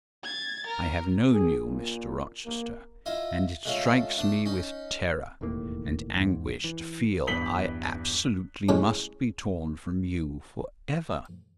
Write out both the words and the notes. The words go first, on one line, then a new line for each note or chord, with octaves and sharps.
I have known you, Mr. Rochester; and it strikes me with terror and anguish to feel I absolutely must be torn from you for ever.
G#6 A6
A#4
G#4
A#2
A#3
E4 F4 D#5
G#3 A3 C#4 F4 G#4 A4
A3 D4 D#6
C#4 D#4
E1 D#2 A2 A#3
E2 G#2
E3
E2 G2 B4 B6 F#7 G7
A2 C#3 G#3